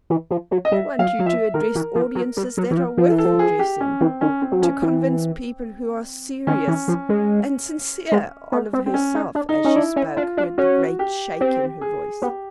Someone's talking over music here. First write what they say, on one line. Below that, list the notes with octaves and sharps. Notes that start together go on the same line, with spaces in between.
"I want you to address audiences that are worth addressing--to convince people who are serious and sincere." Olive herself, as she spoke, heard the great shake in her voice.
E3
F3
F#3
D#5
G3 E5
F#3 F5
F#3
F3 E5
D#3 A#4
E3
F3
F#3
G3
F#3
E3
F3
F3
E3
A4
F3
G#4
G4
C#4
E3 C4
D#3 C#4
C4
F#3
F3 C#4
E3 C4
D#3 C#4
E3
F3
G#3
G#3
B3
C4
C4
C#4
D#4
D4
D#4
C#4 D#4
D4 E4
C#4
D4 F4
D4
C#4 F#4
G4
C4 G4
G#4
B3 G4